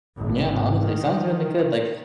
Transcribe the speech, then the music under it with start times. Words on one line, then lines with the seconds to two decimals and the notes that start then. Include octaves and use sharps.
Yeah, honestly, sounds really good, like,
0.16 G#1
0.84 D#3